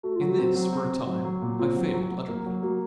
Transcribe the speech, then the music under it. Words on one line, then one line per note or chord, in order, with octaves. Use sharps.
In this, for a time, I failed utterly.
A3 F#4
F#3 F4
F#4
C4
F#3
C4
C4
F#3
F#3
A#2
C4 F4
F#3
F#3
F#3
A#3
F#3
A#3 F#4